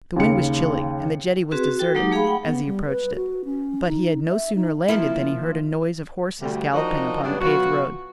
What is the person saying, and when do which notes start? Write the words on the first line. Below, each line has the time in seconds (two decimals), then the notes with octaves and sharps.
The wind was chilly and the jetty was deserted, as he approached it; but he had no sooner landed than he heard a noise of horses galloping upon the paved road.
0.16 D#2 C#3 C#7
1.51 C4 F#4 G#4 B4
1.64 F#4
1.79 F#4 A4 G5
1.95 F#3 G#3 A#3 D#4 G4 D6
2.11 A3 G#4 F5 G5 B5
2.24 F#5 G5
2.46 B3
2.66 G3
2.86 B4
3.15 F#4
3.45 C#4
3.87 D#4
4.30 E5
4.56 D#4
4.88 F3 A#3 E4
6.42 D2 G3
6.73 F3 D4 D#4 F#4 A#4 D#5
7.23 G2 C#3 F#3 B3 D4
7.41 B2 F#3 F4 F#4